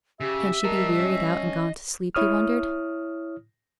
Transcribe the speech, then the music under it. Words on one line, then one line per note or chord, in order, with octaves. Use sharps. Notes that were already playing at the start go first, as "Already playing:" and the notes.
Can she be wearied out, and gone to sleep, he wondered.
C#3 G4 E5
G3 A#4 D#5 A5
C#4
E4 C#5 D#6 F6